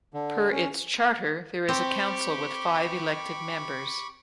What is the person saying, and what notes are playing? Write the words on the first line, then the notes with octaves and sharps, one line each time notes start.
Per its charter, there is a council with five elected members.
D3
C#4
C4 G4 B5 C#6 D6